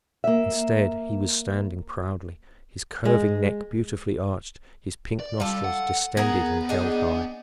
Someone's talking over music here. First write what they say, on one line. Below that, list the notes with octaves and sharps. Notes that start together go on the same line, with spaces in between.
Instead he was standing proudly, his curving neck beautifully arched, his pink nostrils distended and held high.
A#3 E5
G#3
D5
G3 F4 A4
F#5
B3 G#4 A#4 F#5
D4 D#4 G#4